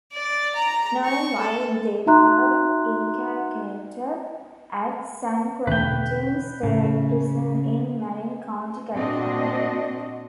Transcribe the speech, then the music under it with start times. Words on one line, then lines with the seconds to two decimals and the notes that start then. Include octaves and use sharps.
Nolen while they were incarcerated at San Quentin State Prison in Marin County, California.
0.13 D5
0.55 A#5
1.04 C#6
1.38 A4
2.06 D#4 F#4 E5 A#5 C6 F#6
5.67 E2 B2 D3 B4 G5
6.63 A2 C#3
8.94 A#2 C4 D4 F#4 D#5